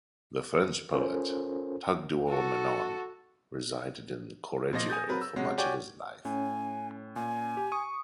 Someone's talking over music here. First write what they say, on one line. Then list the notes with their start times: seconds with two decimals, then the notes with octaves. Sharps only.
The French poet Tugdual Menon resided in Correggio for much of his life.
0.93 C#4 F4 A4 A#4 C5
2.28 F#4 A4
4.73 A#2 F3 D#5 A#6
4.88 G#5 D#6 G6 A6
5.08 F#3 C4 A#4 B4
5.21 E6
5.36 C3 G#3 C#4 F#4
5.58 F#4 G4 C#5 D5 G5 G#5
6.25 A2 C#4 G#5
7.16 A#2 G#5
7.57 G4
7.72 C#6 D#6